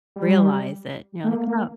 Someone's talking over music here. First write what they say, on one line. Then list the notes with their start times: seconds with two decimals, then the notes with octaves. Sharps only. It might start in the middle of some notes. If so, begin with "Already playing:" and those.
realize it, you know, like, "Oh"
0.16 G3
1.24 A3
1.29 A#3
1.47 A#3